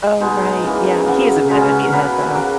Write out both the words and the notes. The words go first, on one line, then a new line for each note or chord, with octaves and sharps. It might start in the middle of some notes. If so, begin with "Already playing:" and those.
Oh, right yeah, he is a bit of a meathead, though.
B2 G#3 D#4
C#3 E3 A#3
C#3 F#3 A#3 B3
B2 G#3
C#4
F#4
A#4
B2 F#3 A#3 B4
C#3 F#3 A#3